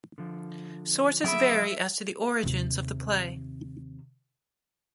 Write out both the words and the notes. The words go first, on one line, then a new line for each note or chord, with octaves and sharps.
Sources vary as to the origins of the play.
D3 F3
F#3 G#4 E5 B5 D7
D#2 C3